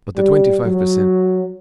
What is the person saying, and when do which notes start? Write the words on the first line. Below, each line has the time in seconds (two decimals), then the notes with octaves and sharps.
But the twenty-five per cent.
0.17 G3
0.64 F#3